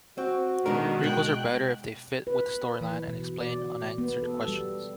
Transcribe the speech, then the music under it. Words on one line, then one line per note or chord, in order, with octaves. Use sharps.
Prequels are better if they fit with the storyline and explain unanswered questions.
C4 F#4
B2 D#3 G#3 D4 A#4
B2 G#3 G5 F#6
B4
E3
B2
D5
B3
A4
G3